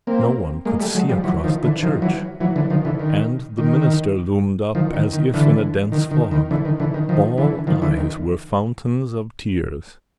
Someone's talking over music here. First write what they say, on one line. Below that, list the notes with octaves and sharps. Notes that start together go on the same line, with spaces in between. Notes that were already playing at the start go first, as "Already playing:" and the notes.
No one could see across the church, and the minister loomed up, as if in a dense fog; all eyes were fountains of tears.
A#3 C4
G#3 A#3
G3 A3
F#3 G#3
F3 G3
E3 F#3
D#3 F3
D3 E3
D#3 F3
E3 F#3
E3 F#3
D3 E3
D#3 F3
D3 E3
D#3
D#3
D#3 F3
D#3
D#3
D3 E3
D#3
D#3
D#3
D3 E3
D#3
D3 E3
D#3
D#3 F3
D3 E3
D#3 F3
D3 E3
D#3